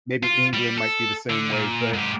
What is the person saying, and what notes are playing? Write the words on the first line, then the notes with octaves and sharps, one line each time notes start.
maybe England might be the same way. But,
F4
G3
A4
D3
A#2
G#2 G4